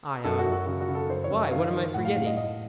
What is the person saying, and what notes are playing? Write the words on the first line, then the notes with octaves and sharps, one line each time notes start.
ION: Why, what am I forgetting?
F#2 A4
F#4
F#2
F#4
C#3 F#4
F#4
C#3
A4
F#2 C5
C#5
F#2
D#5
D#3 F5
D#3
A2 F#5
F5
A2 F5
D#5
A2 D#5